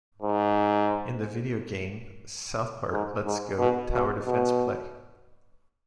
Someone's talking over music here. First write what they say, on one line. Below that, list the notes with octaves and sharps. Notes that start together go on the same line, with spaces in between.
In the video game South Park Let's Go Tower Defense Play!
G#2
G#2
G#2
B2
B2
B2